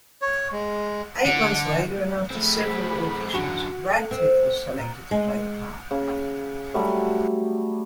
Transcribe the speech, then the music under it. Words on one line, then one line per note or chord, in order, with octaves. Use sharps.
Eight months later, and after several auditions, Radcliffe was selected to play the part.
C#5
G#3
D3
A3 C4 G#4 B5
F#2 D3 F#4
A3
C4
A#2
G#3
C#3
F#3 G3 A3